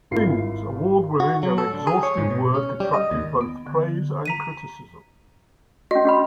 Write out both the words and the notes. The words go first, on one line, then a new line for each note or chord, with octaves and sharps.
King's award-winning and exhaustive work attracted both praise and criticism.
G#1 E4 F4 C7
F#4
F#3
A4
D3
G#4
C#5
G#2
B2
C#4
G3
D#5
D#2
B3
D3
A#5 B6 D#7
C#4 F#4 D#5
C#4 F#4 B5